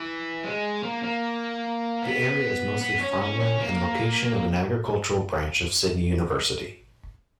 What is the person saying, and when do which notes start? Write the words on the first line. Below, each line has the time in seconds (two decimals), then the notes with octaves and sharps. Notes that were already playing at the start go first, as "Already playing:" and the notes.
The area is mostly farmland and location of an agricultural branch of Sydney University.
Already playing: E3
0.44 G#3
0.83 A#3
1.03 A#3
2.02 B3
2.81 B3
3.01 C#4
3.21 C#4
3.40 C#4
3.60 A#3